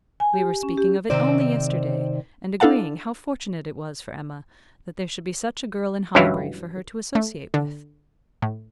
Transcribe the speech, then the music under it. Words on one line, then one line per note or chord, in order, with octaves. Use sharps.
We were speaking of it only yesterday, and agreeing how fortunate it was for Emma, that there should be such a girl in Highbury for her to associate with.
G#5
G4
C#4
G4
C3 D#3 C4 C5 D5
D4 E4 A4 F5 F#5 A5
C#2 G2 E3 F#3 E4 F5
A3
D3
A2